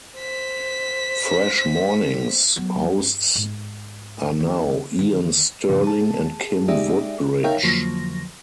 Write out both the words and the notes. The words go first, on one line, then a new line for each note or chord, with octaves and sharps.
Fresh Mornings hosts are now Ian Sterling and Kim Woodbridge.
C5 B6
F#3 B3
G2
G#2
D#2
D3 D#3
G2 A#2 C#3 F3 G3
G#4 A5
G#3 D#4 G4 G#4 D5 E5
D#4 A#4 C#5 E5 F5 G5
F2 D3 F3 F#3 A#3 A#6